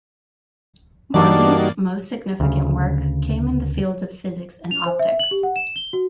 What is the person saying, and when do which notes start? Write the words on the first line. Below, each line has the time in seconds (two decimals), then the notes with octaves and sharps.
Morley's most-significant work came in the field of physics and optics.
1.14 G2 E3 G3 A#3 D4 D#4 F#4 D5
2.40 D2 C#3
4.71 F7
4.86 C5
4.99 E5
5.19 F#7
5.31 G4
5.43 F#5
5.56 E7
5.76 G7
5.93 F#4